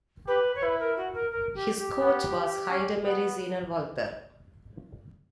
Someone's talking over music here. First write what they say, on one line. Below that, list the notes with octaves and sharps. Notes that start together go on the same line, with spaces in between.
His coach was Heidemarie Seiner-Walther.
G4 B4
C#5
E4 B4
A#4
F#4
A#4
A#4
G4
G4
B3
C#4
B3